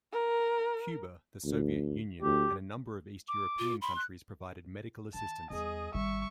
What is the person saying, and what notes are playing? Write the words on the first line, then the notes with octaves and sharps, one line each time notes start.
Cuba, the Soviet Union, and a number of East European countries provided medical assistance.
A#4
D2
D2 G4
D6
F4
B5 C6
F#6
D#3 A5
E2 G3 G#4 D#5
G#1 D#3 G3 E5 C#6